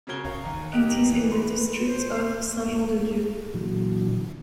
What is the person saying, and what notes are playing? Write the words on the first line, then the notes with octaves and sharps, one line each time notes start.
It is in the district of Saint-Jean-de-Dieu.
C#3 C#4 F#4 A#4 G#6 G7
C#5 F5 A#5
D#2
G#2 A#3 G4 D#5 F#6 D7
E3
B4 C6
C5
A#2 D3 E3 F#3